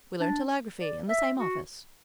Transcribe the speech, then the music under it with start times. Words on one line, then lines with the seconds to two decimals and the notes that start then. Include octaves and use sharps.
We learned telegraphy in the same office.
0.21 D4
0.80 D5
1.09 E5
1.38 F#4